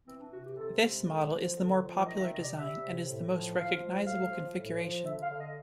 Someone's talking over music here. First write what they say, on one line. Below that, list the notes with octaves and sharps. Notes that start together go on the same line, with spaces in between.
This model is the more popular design and is the most recognizable configuration.
E3 C4
D4
C3 F#4
G4
C3 A4
G#3
D3
F3
D3
F3
D#3 D#5
E5
C3 D#5
D5
G3 E5
C3
A2
F3
F3 F5
G#3
A2 F5
F3
A2
F3
D3 E5
F5
D3
D#5